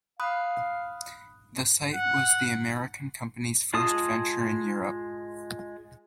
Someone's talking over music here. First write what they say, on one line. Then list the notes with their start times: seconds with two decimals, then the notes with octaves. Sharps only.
The site was the American company's first venture in Europe.
0.20 F5 B5 D#6 F#6
1.92 F#5
3.74 G#3 F4 G#4 A5 D#6